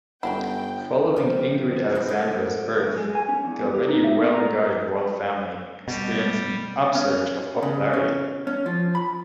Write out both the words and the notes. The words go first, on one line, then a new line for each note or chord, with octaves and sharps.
Following Ingrid Alexandra's birth, the already well-regarded royal family experienced an upsurge of popularity.
G1 F#3 C#4 E4 F#5 G5
F3 G4
C4 E4
D3
F#2
G#3
G#5
C#4
E2
E2
G4
D#4
E5
B3
A#5
B2 G3
C#4
C#3
C#4
C#4
F3
B5